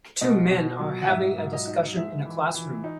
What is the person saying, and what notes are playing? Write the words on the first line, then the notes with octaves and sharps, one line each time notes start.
Two men are having a discussion in a classroom.
B2 D#5
B2
F#3
F#5
G#2 E5
G#2
D#5
D#4
G#3 E5
E3
E3
D#4